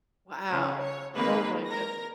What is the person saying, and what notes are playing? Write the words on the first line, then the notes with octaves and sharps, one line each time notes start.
Wow. Oh my good
C#3 C#4
C#5
D#3 G#3 A#3 C4 B4
A#4 A#6